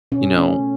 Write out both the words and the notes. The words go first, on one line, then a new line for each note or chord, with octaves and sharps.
you know
B2 C#4
A3 C#4